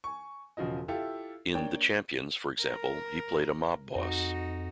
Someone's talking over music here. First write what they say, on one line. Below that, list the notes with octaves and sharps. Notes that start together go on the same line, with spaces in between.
In "The Champions", for example, he played a mob boss.
G#5 C#6
E1 C#3 F3 F#4 D#5
E4 F4 G4 A4 E5 F5
A#3 D4 C#5 G5
A#4
F2 D#4 F#4